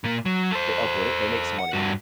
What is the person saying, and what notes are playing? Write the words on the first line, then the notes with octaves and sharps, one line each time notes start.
they upload it, they make some money on it.
A#2 A#3
F#3
A4 C5
F#5
G2 F#4